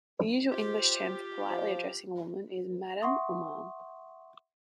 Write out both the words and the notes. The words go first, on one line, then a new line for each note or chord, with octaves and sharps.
The usual English term for politely addressing a woman is "Madam" or "Ma'am".
F4 G4 C5
F3
E5 F#5 C6 C#6 D#6